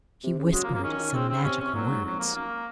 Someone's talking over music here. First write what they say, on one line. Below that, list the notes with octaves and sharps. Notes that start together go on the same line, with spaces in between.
She whispered some magical words.
C3
C#3
F#3 G#3
A#3
F3
C#3 A#3
D#3 C#4
D#3
C#3 C4
C#3 C4
C3 C#4
C3 C#4
A#2 F#3
G#2
F2 F#3
A#3
F#2 A#3